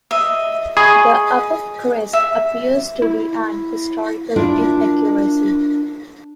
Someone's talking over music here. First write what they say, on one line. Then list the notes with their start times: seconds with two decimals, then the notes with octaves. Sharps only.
The above crest appears to be an historical inaccuaracy.
0.11 D#5 E5
0.77 G#4 D#5 B5 C#6
2.13 E5
3.02 E4
4.36 D4 E4 F4 A#4